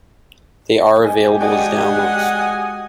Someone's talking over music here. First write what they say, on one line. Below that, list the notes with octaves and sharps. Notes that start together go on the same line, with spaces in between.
They are available as downloads.
G#3 G4 D#5 G#5
F#4 D5 D#5 F#5 G#5 A5 D#6